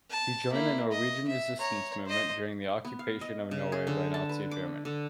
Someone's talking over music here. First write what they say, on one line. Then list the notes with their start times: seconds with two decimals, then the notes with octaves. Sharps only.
He joined the Norwegian resistance movement during the occupation of Norway by Nazi Germany.
0.10 A5
0.51 A#3 E4
0.92 D#5
1.27 E5
1.59 C#5 A#5
2.06 C5 D#5
2.85 B3
2.99 F5
3.21 D#5
3.51 C#3
3.72 G#4
3.87 D3
4.14 A5
4.29 B4
4.51 D6
4.85 D3